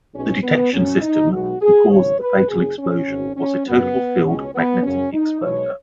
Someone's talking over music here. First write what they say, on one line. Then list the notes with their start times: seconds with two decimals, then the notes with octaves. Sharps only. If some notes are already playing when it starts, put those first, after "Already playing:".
The detection system to cause the fatal explosion was a total field magnetic exploder.
0.14 B1 B2 G#3 C#4
0.43 B3
0.73 F#2 F#3 C#4
1.01 D#4
1.31 B1 B2 G#3 F#4
1.61 G#4
1.90 G#1 F#2 C#3 C#5
2.19 B4
2.48 F#1 F#2 C#3 G#4
2.78 C#4
3.07 G#1 F#2 F#3
3.36 C#4
3.66 F#2 C#3 F#3 B3
4.24 C#2 B2 G#3 C#4
4.54 B3
4.83 F#2 C#3 F#3 C#4
5.13 D#4
5.42 B1 B2 G#3 C#5